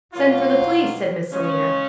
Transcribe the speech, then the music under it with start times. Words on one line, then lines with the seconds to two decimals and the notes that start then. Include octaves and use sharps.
'Send for the police,' said Miss Selina.
0.13 B2 F#3 A#3 F4
1.31 C#3 G#3 C#4